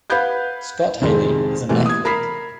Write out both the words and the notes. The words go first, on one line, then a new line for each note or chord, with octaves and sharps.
Scott Haley is an athlete.
B4 F5 F#5 B5 G6 G#6
F2 C3 D#3 G#3 C4
B2 E3 G3 A3 A#3 C4
D#6 G#6
A#4 B5 B6 C7